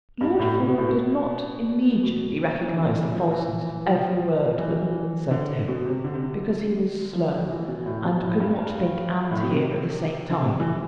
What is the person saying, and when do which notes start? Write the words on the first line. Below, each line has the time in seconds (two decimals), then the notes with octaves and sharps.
Lord Fawn did not immediately recognise the falseness of every word that the woman said to him, because he was slow and could not think and hear at the same time.
0.21 G2
0.39 A2
0.58 C3
0.68 B2
0.78 A2
0.89 B2
2.03 B2
2.68 E3
2.77 D3
2.88 D3
2.94 E3
3.12 F3
3.31 E3
3.86 F3
4.12 F3
4.58 E3
5.31 D3
5.68 B2
5.85 C3
6.04 D3
6.14 C3
6.23 D3
7.13 F3
7.32 F3
7.50 E3
7.68 B2
7.86 A2
8.04 B2
8.23 A2
8.40 G2
9.31 A2
9.43 B2
9.51 C3
10.31 D3
10.41 C3
10.60 E3
10.72 E3